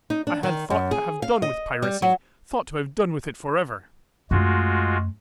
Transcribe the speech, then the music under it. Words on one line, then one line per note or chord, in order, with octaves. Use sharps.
I had thought to have done with piracy; thought to have done with it for ever.
D#4
D4
D#3
F#2
G#4
F5
D#5
G3
F#3
F#2 G#3 A3 F4 F#4